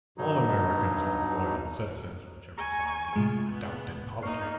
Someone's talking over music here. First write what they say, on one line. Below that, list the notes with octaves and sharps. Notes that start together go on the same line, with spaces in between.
All Americans are loyal citizens, whichever side they adopt in politics.
G2 B2 F#3 D#4
G#5 A#5 C#6
A2 C3 G#3 F4
B3
A#3 D#4 C#6 F6 C7